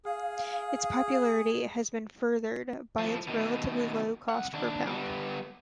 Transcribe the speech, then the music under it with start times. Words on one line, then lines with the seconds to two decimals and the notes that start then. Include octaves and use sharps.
Its popularity has been furthered by its relatively low cost per pound.
0.05 G#4 F5
2.98 A2 F3
3.27 B2 D#3
4.29 C2 F#5
4.53 D#2 D4
4.87 G3 B3